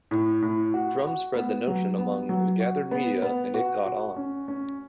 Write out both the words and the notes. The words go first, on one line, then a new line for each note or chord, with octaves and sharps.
Drum spread the notion among the gathered media and it caught on.
A2
A2
F#4
F#4
B3
F#3
B3
F#3
F#4
B3
B3
F#4
F#4
C#4
C#4